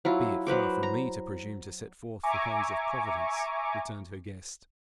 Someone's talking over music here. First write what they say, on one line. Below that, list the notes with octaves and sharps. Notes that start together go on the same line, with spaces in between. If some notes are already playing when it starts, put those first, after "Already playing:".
'Be it far from me to presume to set forth the ways of Providence!' returned her guest.
F#3 E4 F4
F#3 B4 C5 D6
A#5
E5 G#5 A#5 C#6 D6